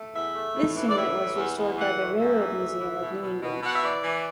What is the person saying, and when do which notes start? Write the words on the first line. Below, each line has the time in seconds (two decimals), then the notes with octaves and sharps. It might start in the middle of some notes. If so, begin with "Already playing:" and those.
This unit was restored by the Railroad museum of New England.
Already playing: A3
0.13 E2 E5
0.34 A3
0.54 A2
0.75 E3
0.88 D5
0.95 A2 E5
1.16 E3
1.36 E2
1.57 E2
1.77 E3 F#5
1.99 A3
2.19 F#2 E5
2.40 E3
2.59 A3
2.80 E3
3.01 B2
3.22 B2
3.42 B2
3.62 B2 F#5
3.74 E5
3.83 E3 D5
4.03 E3